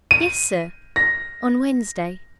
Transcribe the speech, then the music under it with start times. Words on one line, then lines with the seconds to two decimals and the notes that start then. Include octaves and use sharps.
"Yes, sir, on Wednesday."
0.11 D#7
0.96 A#6